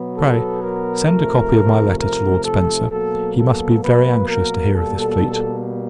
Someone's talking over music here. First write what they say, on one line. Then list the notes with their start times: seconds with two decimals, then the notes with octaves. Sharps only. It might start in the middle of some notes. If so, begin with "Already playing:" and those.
Pray, send a copy of my letter to Lord Spencer; he must be very anxious to hear of this fleet.
Already playing: B2 F#3 B3
0.15 A4
0.61 A#4
1.07 C3 F3 A3
1.99 A#4
2.44 A4
2.90 B2 F#3 A#3 A4
3.36 A4
3.82 B4
4.28 A#4
4.73 B2 G3 A#3 A4